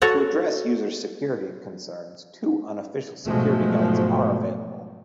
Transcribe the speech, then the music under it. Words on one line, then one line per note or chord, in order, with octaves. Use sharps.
To address user security concerns, two unofficial security guides are available.
F#4 A4 C#5 F#5
G#2 B2 F3 F#3 G#3 A3